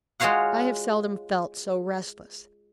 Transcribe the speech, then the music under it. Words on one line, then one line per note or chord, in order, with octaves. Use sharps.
I have seldom felt so restless.
G#3 F4 F#4 C#5 F5 F#5